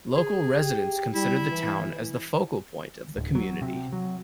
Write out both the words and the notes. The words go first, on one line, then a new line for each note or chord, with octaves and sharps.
Local residents consider the town as the focal point of the community.
G#4
G4
G3 E4
E3
D1
F#3
C3
F#3